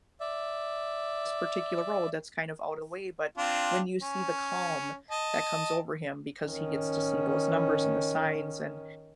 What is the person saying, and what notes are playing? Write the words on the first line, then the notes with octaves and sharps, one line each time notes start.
particular road that's kind of out of the way but when you see the calm that comes over him because he gets to see those numbers and the signs, and
D5 E5
C4 D4 F4
C#4
D#5 A5
D#3 C#4